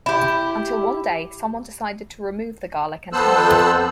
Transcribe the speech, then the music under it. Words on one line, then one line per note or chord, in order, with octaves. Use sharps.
Until one day someone decided to remove the garlic and honey.
E4 G4
F2 B3 A4 C5 E6 F#6